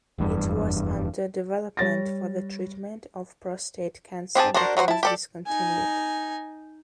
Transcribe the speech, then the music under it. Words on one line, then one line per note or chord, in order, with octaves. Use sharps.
It was under development for the treatment of prostate cancer but was discontinued.
F1 E2 G2
G3 C#5 A6 A#6
C4 G4 G#4 A5
D4 F#4 A#4 C5 D5
F#3 F#4 G#4 C5
E4 A5
G4 A4 D5
D#4 G#5